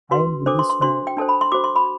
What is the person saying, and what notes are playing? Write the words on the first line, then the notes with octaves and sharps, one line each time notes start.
I am Buddhist now.
F#4 B4 C6
D4 A4 C5 D6
C6
C6
D4 F#4 C5 C6
G5
D4 A4 C5 A5
B5
C6
F#4 C5 D6
C6
B5